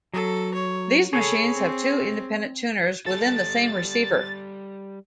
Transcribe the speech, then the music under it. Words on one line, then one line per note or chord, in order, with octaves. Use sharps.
These machines have two independent tuners within the same receiver.
F#3 A4
C#5
G#4 A4 C#5 B5
C4
G3 A4 A6